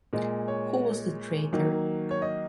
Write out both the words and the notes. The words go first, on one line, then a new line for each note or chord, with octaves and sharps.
Who was the traitor?
A#2 G#3
C#5
D#3 F#3 A#3
C#5
D#5